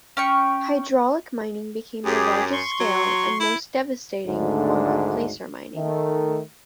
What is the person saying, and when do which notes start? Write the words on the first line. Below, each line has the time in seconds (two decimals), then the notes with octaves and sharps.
Hydraulic mining became the largest-scale, and most devastating, form of placer mining.
0.17 C#4 G5 C#6
2.05 F#2 G4 G#4
2.53 C6 C#6
2.80 F#3
3.40 E4
4.28 G#1 D2 G#2 D3 A3 D4
5.76 D#3 A3